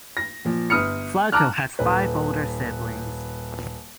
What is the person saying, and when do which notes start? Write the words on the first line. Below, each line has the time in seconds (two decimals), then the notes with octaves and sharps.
Flacco has five older siblings.
0.17 A#6
0.45 A#2 F3
0.70 G1 D#6 F6 C#7
1.32 A5 A#5 D6 F6 F#6
1.79 D#1 B4